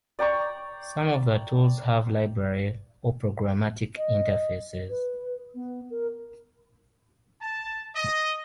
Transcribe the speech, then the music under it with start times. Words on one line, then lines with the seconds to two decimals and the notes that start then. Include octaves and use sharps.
Some of those tools have library or programmatic interfaces.
0.19 D5 G5 A#5 C#6
3.97 D#5
4.90 B4
5.54 B3
5.90 A#4
7.42 A5
7.96 D#5